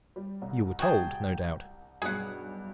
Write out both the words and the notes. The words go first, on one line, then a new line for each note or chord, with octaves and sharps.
"You were told, no doubt."
G3
C2
F#4 G#4 G5 A5
B1 G2 G#4 F#5